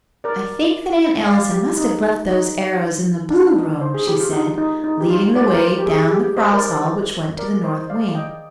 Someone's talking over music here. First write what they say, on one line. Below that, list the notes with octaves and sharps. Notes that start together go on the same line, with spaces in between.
"I think that Aunt Allison must have left those arrows in the blue room," she said, leading the way down the cross hall which went to the north wing.
A#4 D5
D5 F5
G4
D#4
D#4
D4
D#4
C5
G#4
G4
F4
D#4
D#4
D#4
G4
F4
D5
C5
A#4
C5
G4
G#4
G4
C5 D#5
A#4 D5
C5
A#4 D5
C5 D#5
D5 F5
D#5 G5